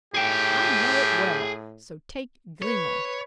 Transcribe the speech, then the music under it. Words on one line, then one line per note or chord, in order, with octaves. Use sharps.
"I know it well, so take Grimaud."
A2 G4 G#4 G5
B4 C#5